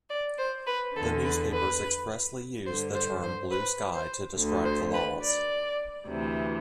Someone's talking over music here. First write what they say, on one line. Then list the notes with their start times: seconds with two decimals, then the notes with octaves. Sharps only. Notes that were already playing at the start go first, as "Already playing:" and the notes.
The newspapers expressly used the term "blue sky" to describe the laws.
0.09 D5
0.38 C5
0.66 B4
0.95 E2 D3 A4
1.24 B4
1.52 B4
2.65 G2 D3 C5
2.94 C5
3.22 C5
3.51 B4
3.94 C5
4.36 D2 D3
4.65 C5
4.93 B4
5.21 D5
6.06 D2 C3 E3